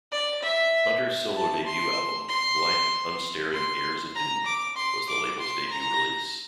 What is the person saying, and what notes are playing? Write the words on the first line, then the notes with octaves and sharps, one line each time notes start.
Hunter's solo debut album "Blank Unstaring Heirs of Doom" was the label's debut release.
D5
E5
A5
C6
C6
C6
A#5
D6
C6
D6
C6
A#5